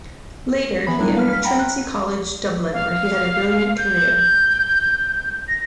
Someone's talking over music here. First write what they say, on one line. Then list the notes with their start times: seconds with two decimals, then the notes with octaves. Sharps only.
Later he entered Trinity College, Dublin, where he had a brilliant career.
0.87 E3 B3 B5
0.99 F#3 G3 D4 E4
1.17 F5 F6
1.30 F6 B6
1.44 F#5 G5 A#5 B5
1.59 F#6
2.73 F5
3.78 G6
5.48 A#6